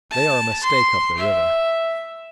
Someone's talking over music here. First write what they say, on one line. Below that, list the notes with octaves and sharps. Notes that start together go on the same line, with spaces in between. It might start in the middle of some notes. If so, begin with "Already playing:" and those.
They are a mistake up the river.
A5
C6
E5